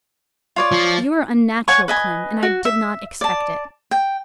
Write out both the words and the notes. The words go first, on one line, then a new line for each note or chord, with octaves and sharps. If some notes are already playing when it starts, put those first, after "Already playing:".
"You are unnatural, Clym, and I did not expect it."
F4 C#5 D5
F3
C#5 F#5 G#5 C#6
B4 D#5 G#5
F#4
E5
D5 A5
G5